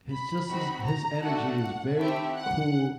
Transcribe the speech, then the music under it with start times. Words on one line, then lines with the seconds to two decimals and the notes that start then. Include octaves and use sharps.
He's just this His energy is very cool,
0.13 B5
0.49 C4 D#4 F#4 B5
0.87 A#5
1.24 A3 D4 F#4 A4 F#5
1.99 A3 C4 E4 G4 E5
2.37 F#5